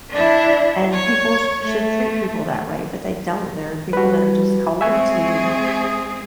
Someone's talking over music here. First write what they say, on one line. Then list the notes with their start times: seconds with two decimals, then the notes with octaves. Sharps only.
And people sh should treat people that way, but they don't, there are people that are just cold to
0.10 D4 E4
0.92 C#5
1.62 A3
3.93 G3 F#4 B4
4.81 G#3 C4 G#4 E5 G#5 C#6
5.80 D#6